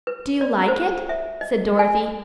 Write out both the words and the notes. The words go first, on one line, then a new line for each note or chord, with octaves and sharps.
"Do you like it?" said Dorothy.
B4
D5
C5
E5
D#5
G#5